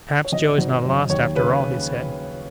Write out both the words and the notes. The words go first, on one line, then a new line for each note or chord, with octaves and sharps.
"Perhaps Joe is not lost after all," he said.
C#5
G#1 D#5
G#1
F#2
D#2 C#5
C#3 B4